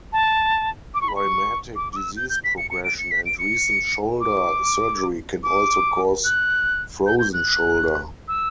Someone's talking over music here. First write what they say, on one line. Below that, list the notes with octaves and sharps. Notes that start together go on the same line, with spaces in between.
Rheumatic disease progression and recent shoulder surgery can also cause frozen shoulder.
A5
D6
C#6
B5
C#6
D6
D6
E6
G6
G6
B6
C#7
C#7
D7
C#7
B6
D7
C#7
D6
D6
F#6
G6
G6
F#6
E6